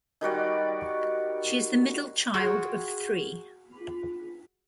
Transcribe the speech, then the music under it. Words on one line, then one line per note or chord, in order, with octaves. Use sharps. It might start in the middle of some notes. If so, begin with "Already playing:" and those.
She is the middle child of three.
D#3 G3 F#4 D5
F4 F#4 G#4 A#4 C#5 G5